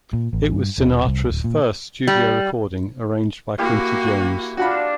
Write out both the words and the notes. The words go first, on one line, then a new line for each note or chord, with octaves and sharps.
It was Sinatra's first studio recording arranged by Quincy Jones.
A#2
A1
G2
D#1
C2
D1
A#2
G3
A#3 E4 F#4 G4 F5
D4 F4 F#4 F#5 B5